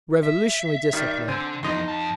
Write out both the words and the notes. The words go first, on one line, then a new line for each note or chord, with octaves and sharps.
Revolutionary discipline!
E5
D#3 G3
D3 C4 G#5
F2 E3 D#4 C6
F2 A5